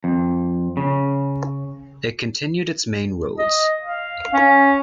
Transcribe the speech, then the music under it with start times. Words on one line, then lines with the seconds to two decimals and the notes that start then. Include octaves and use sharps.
It continued its main roles.
0.04 F2
0.77 C#3
3.39 D#5
3.82 F5
4.33 C#4